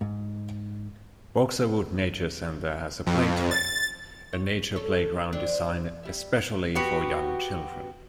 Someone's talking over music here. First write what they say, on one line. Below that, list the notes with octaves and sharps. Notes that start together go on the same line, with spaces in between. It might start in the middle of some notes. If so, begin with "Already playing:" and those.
Boxerwood Nature Center has a PlayTrail, a nature playground designed especially for young children.
G#2
F2
A6
C#5
A4 C#5
F3 C4 D4
G3 E5
B3 F#4 G4